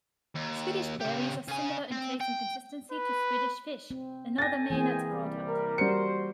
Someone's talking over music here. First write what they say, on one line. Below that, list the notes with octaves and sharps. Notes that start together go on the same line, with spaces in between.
Swedish Berries are similar in taste and consistency to Swedish Fish, another Maynards product.
D#2
C#3 G4
C#3 G#5
C4
G5
B4
C4
A4 G5 G#5 A6 A#6
E3 G#3 A#3 C4 G#4 G5 G#5
C2 G3
A#4
G3 F#4 C5 C#7